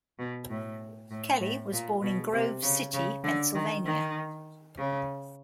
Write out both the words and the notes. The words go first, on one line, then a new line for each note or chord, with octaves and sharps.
Kelly was born in Grove City, Pennsylvania.
B2
A2
A2
A2
A#2
B2
C3
C#3
C#3
D3
D#3
D#3
C#3